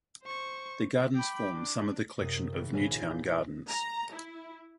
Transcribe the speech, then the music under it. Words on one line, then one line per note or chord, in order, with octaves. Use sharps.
The gardens form some of the collection of New Town Gardens.
C5 C#6
G5 B5 D6
D4
F#2 C3 D#6
G#1
D#1 C#2 B3 C#5 G#5 F6
F4
G6
A3 A6
A#5
E4